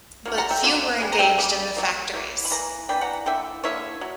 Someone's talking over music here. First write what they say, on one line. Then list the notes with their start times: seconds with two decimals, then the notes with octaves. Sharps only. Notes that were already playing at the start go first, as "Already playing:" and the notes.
But few were engaged in the factories.
0.25 D3 F#3 A#3
0.37 F#5 A#5
0.50 E5 G5
0.64 D3 F#3 A#3
1.01 C#3 G3
1.12 A#5
1.19 E5 G5
1.38 C#3 G3 A#3
1.76 F#3 A#3
2.14 F#3 A#3 E4
2.45 B5
2.51 E3 A#3 A#5
2.89 E3 A#3 D4 G5 B5
3.01 F#5 A#5
3.26 D3 A#3 E4 E5 G5
3.64 D3 A#3 E4 C#5 E5
4.01 F#3